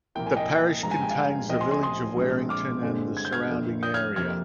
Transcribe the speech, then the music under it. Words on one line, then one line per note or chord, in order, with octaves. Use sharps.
The parish contains the village of Werrington and the surrounding area.
C2 A#2 F3 A#3 G5
G#5
D#5 G5
G2 F3 G#3 A#5
G#5
G5
F5 G#5
D2 C3 F3 D#5 G5
G#5 C6
G#5 C6
C6 D#6
A#1 A#2 G#3 C4
D6 F6
G2 D3 G#3 C4
G#6
G6
F6 G#6
G1 F2 D3
D#6 G6
F6 G#6
F2 C3 F3 A#3 F6 G#6